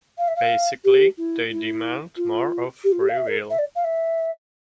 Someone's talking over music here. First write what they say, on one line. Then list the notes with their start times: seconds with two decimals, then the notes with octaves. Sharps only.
Basically, they demand more of "free will".
0.18 F5
0.28 E5
0.36 F5
0.84 G4
1.17 E4
1.50 E4
2.17 F4
2.84 G4
2.92 F4
3.01 G4
3.09 F5
3.17 E5
3.28 A#4
3.50 E5
3.58 D5
3.75 F5
3.84 E5